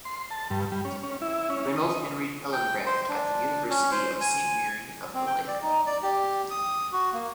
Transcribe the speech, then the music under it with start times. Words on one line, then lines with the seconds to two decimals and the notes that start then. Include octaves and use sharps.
Reynold Henry Hillenbrand at the University of Saint Mary of the Lake.
0.05 C6
0.31 A5
0.50 G2
0.72 G3
0.85 C#4
1.03 C#4
1.22 E4
1.50 C#4
1.76 D#6
2.53 G5
2.86 C5
3.09 D4
3.69 C#4
3.92 C5
4.21 G#5
5.15 C4
5.27 G5
5.48 D5
5.62 D#4
5.86 D5
6.03 G4
6.50 D#6
6.92 F#4
7.13 A#3